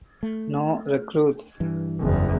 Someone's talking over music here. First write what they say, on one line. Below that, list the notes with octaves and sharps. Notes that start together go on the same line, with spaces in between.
No recruits.
A3
G2 E3
F#1 E2